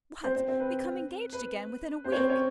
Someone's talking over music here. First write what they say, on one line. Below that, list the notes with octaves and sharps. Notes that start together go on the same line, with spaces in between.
"What; become engaged again within a week!"
C4 C5
C4 C5
C4 C5
B4
B4
C4 C5
C#5
C4 C5
C#4 C#5